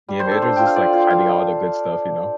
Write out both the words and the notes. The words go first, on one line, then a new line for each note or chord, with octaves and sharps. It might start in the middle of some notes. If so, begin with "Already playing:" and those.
Yeah, maybe they're just, like, hiding all the good stuff, you know?
G3
C5
D4
A4
D4 C5
F4 G5
F5
F4 D5
F4
F4 F5
F4